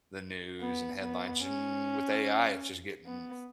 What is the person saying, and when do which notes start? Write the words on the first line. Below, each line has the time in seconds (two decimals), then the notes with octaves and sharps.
the news and headlines, and with AI, it's just getting
0.61 B3
1.00 B3
1.42 C#4
3.05 B3